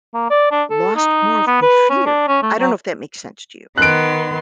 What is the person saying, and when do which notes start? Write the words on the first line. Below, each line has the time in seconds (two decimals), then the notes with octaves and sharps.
lost more of my fear, I don't know if that makes sense to you.
0.14 A#3
0.30 D5
0.51 D4
0.70 A4
0.96 D#4
1.47 B3
1.62 B4
1.90 C#4
2.06 D4
2.27 C#4
2.42 A3
2.60 F#3
3.78 D#3 B3 C6 F#6 D7